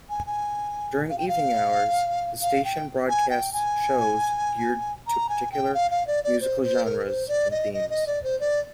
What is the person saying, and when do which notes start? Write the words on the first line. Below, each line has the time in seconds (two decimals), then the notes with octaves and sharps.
During evening hours, the station broadcasts shows geared to particular musical genres and themes.
0.10 G#5
0.26 G#5
1.10 F5
1.18 G5
1.29 F5
2.42 F5
2.65 G5
3.09 G#5
3.30 G5
3.53 G#5
5.07 A#5
5.29 G#5
5.52 G5
5.74 F5
5.91 F5
6.07 D5
6.24 D5
6.41 C5
6.63 C5
6.85 A#4
7.07 C5
7.28 D5
7.51 D#5
7.73 D#5
7.90 D#5
8.07 D5
8.24 C5
8.40 D5